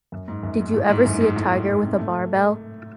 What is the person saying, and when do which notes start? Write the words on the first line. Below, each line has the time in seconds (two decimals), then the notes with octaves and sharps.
Did you ever see a tiger with a barbell?
0.12 F#2
0.28 G#2
0.43 F#2
0.59 G#2
0.74 A2
0.89 G#2
1.05 F#2
1.21 G#2
1.36 A2
1.51 G#2
1.68 A2
1.83 C3
1.99 A3